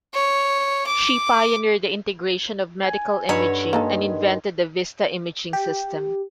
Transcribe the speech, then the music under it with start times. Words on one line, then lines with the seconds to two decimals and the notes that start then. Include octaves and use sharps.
She pioneered the integration of Medical Imaging and invented the Vista Imaging System.
0.14 C#5
0.87 D6
2.84 G#5
3.29 G2 D3 D#4 A4 C#5 F#5 B5
3.73 D#3 G#3 A#3 D#4 A4
5.53 G4